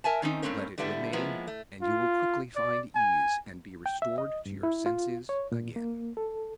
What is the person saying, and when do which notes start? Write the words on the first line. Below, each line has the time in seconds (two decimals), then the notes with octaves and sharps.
Let it remain and you will quickly find ease and be restored to your senses again.
0.04 A#4 E5 G#5 A5
0.22 D#3 C4 C#4 D#4
0.42 G2 D#3 A3 C4 C#4 A#4
0.78 D3 G3 A3 B3 E4
1.13 F3 G#3 A#3 B3 E4
1.47 A3
1.82 F4
2.56 D5
2.96 G#5
3.86 G5
4.02 E5
4.18 D#5
4.46 G2
4.63 E4
4.86 F4
5.29 C#5
5.52 A#2
5.76 A#3
6.17 A4